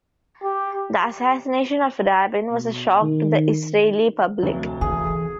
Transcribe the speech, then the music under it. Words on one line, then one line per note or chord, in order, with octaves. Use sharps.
The assassination of Rabin was a shock to the Israeli public.
G4
B2
D#3
F1 D2 F#3
E3 G#4